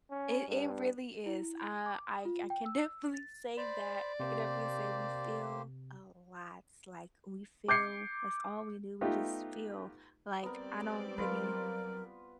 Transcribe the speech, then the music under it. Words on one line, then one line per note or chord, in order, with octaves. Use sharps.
It it really is. Uh, I I can definitely say that I can definitely say we feel a lot, like, we feel that's all we do. We just feel like, I don't really
C#4
G2
E4
D6
D#6
F4
G5
E6
A6
C5 D5 B5
C3 A#3 G4 C5
D6 G6 G#6 C7 C#7
A3 B3 D#4 F4 G4 B4
G3 B3 C4 A#4 D5
F#3 F4 A#4 B4